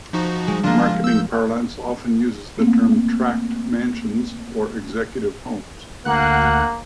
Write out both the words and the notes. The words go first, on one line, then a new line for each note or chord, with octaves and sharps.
Marketing parlance often uses the term "tract mansions" or executive homes.
F3 D#4 F#4
G#3
F3 A#3 D4 F4
E6 G6
A3 A#3 C4
D2 A#3 F#5 F#6